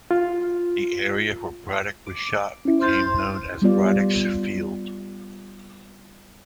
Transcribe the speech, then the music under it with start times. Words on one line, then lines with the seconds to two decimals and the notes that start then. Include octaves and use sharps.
The area where Braddock was shot became known as Braddock's Field.
0.11 F4
2.07 D6
2.65 C#4 E4
2.81 C5 F6 A6
3.62 G3 B3 F4 D5